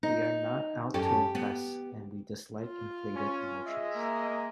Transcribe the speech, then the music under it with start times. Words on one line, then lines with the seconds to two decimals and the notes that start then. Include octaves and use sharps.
We are not out to impress, and we dislike inflated emotions.
0.03 D#4
0.94 F#2 C#4 G4 A4
1.35 B3
2.62 F4
3.15 C#4
3.67 G#3 D#5 E5
3.97 A#3